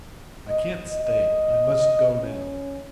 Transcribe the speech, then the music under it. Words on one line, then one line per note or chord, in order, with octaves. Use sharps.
"I can't stay, I must go now...."
D#5
D#5
C#4